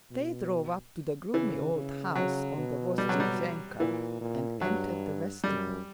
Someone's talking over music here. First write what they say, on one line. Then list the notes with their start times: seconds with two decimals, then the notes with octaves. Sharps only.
They drove up to the gloomy old house on the Vozdvizhenka and entered the vestibule.
0.11 B2
1.34 C#3 E3
1.75 C#3
2.15 C#3 F#3
2.57 B2
2.98 G3
3.09 F#3
3.20 G3
3.79 A#2 E3
4.21 A#2
4.61 G2 F#3
5.44 F#2 G3